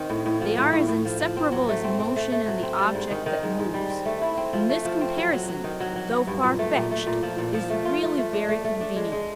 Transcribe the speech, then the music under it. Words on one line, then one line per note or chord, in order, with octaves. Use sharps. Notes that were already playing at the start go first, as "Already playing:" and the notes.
They are as inseparable as motion and the object that moves; and this comparison, though far-fetched, is really very convenient.
Already playing: D#3 C4
A2
A2
F3
A2
A2
A2
F3
F3
C4
F#3
A3
C4
C4
A3
A3
F#3
C4
G3
G#2
D#3
D#3
G#2
G#2
G3
C4
A3
E4
C4
F3
A3
F3
C4
F#3
F#3
F#3
D#3
F#3
F#3
F#3
G2
A#2
A3
A#2
A3
A#2
F3
A#2
F3
A3
F4
A3
A3
D4
A3
A3
D4
G#3
G#3